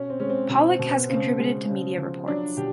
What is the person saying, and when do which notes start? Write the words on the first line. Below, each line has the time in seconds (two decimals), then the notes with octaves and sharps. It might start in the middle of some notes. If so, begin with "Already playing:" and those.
Pollak has contributed to media reports.
Already playing: B2 C#4
0.10 C4
0.20 G#3 C#4
0.30 C4
0.49 B2 C4
0.69 C4
0.79 B2
0.89 B3
1.09 C#3 C4
1.39 G#3
1.68 C#3
1.98 F3
2.28 F#3 D4
2.57 B2 G4